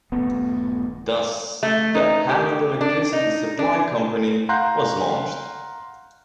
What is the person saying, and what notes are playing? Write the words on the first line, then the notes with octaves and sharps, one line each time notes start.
Thus the Hammond Electricity Supply Company was launched.
D#1 G2 A3 B3
A3
D#4
G4
D4
D#4
D4
F5 F#5 A#5 C6 F#6 G6